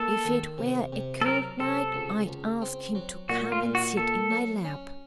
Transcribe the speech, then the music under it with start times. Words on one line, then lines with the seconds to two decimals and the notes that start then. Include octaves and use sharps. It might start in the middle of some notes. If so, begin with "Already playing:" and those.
If it were a cold night I'd ask him to come and sit in my lap.
Already playing: A#3 A4
0.25 D#3
0.58 C3
0.93 C3
1.21 A4
1.26 F#3 A#4
1.60 C3 A4
1.94 C#2
2.27 C#2
2.62 C4
2.95 F#3
3.29 A#2 F#4
3.52 F4
3.62 A#2
3.75 F#4
3.97 A#3 A4
4.31 F#3
4.64 C#4